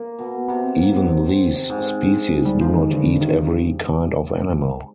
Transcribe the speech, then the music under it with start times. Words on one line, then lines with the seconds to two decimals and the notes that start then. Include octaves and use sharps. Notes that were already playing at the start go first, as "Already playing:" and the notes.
Even these species do not eat every kind of animal.
Already playing: A#3
0.19 B2
0.48 C3 B3
0.64 C4
0.78 A#3
0.95 B3
1.09 C4
1.70 G#2
2.45 G3
2.61 F3
2.75 D#3
2.91 G2 D3
3.21 D#3